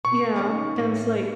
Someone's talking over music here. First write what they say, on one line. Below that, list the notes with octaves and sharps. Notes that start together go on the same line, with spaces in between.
Yeah, and it's, like
B2 C#6
D#2 C#4 D#4
A2 E3